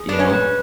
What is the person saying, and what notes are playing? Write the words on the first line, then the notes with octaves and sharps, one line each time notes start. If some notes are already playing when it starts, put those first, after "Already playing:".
You know,
Already playing: G#4
D4 B4
C#4
B4